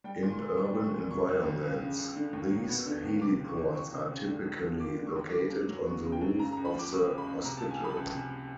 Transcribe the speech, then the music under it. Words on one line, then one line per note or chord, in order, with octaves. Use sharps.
In urban environments, these heliports are typically located on the roof of the hospital.
G3 G5
A#2
C6
A#3
D4 C#6
G3
C#6
A#2
C#3 C#6
C#2
F3
C#2
C#3
C#2
D3
D#2
F#3
B3
D3
D#2
C3 D6
C#2
C#6
E3
C#2 C#6
C3
C#2
D3
D#2
F3
A#3 D6
D3
C#6
D#2
C#3 D6
F#2
F#3
B3 C#6
C#3
G5
F#2
C#3 A#5
A#5
C#2
B5
F3
D6
C#2 C#6
C#3
B5
C#2
C3 A#5
A5
C#2
G#5
F3 B5
C#2
C3